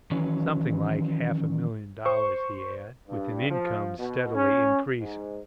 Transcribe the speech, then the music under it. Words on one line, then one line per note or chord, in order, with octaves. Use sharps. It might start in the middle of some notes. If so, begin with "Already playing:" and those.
Something like half a million dollars he had, with an income steadily increasing.
D#3 E3 F#3 C#4 B4
C5 C#6
G2
F3
B2
C#4
G#2